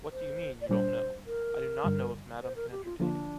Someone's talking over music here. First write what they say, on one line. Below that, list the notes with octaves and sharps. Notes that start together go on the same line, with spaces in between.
What do you mean, you don’t know? I do not know if madam can entertain.
C5
D5
A#2 G3 D4 C5
A#4
G2 D3 G3
C5
A#4
G4
F4
D3 F3 A#3 D4 F4